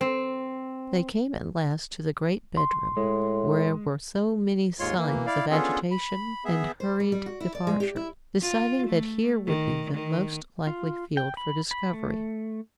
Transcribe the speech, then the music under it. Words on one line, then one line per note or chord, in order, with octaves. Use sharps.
They came at last to the great bedroom where were so many signs of agitation and hurried departure, deciding that here would be the most likely field for discovery.
C4
C6
A2 G#3
D#2 G#2 G#3 F4 C#5 C6
E3 A#3
E4 D5 F5
B3 C#4 D4 F4 G#4 A4
B5
B3 G#4 E5
C5
G3
G3
F#4
E4
D5
G#3
G4
E4
F4
A3
D#3
D#3
F4
G5
B5
B5
A3